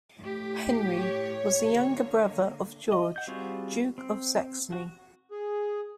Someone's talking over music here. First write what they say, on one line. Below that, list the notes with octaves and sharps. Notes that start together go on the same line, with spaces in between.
Henry was the younger brother of George, Duke of Saxony.
A2 G4
C#5
D3 A#3
D#5
F#5 G6
G3 C4 F4 F#4 G#4
C4
F#4
G#4